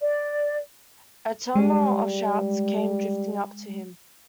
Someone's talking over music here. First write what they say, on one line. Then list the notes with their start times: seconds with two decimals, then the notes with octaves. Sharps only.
A tumult of shouts came drifting up to him.
0.01 D5
1.55 G3 G#3